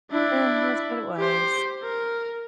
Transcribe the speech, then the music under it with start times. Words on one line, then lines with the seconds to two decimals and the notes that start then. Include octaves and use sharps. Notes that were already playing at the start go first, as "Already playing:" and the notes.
eh, that's what it was.
0.11 D4 E4
1.17 G4 C5
1.82 A#4